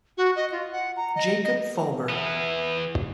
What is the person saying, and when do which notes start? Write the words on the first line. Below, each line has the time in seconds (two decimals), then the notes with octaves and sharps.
Jakub Fober.
0.17 F#4
0.36 D#5
0.52 F4
0.72 F#5
0.97 A#5
1.15 D#5
1.43 D#5
2.09 E3 B3